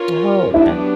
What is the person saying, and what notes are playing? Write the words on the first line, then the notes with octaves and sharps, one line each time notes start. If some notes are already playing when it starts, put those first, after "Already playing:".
Oh, 'kay.
Already playing: C#4 F4 A#4 C#5
F#3 B3 D4 E4 G4 B4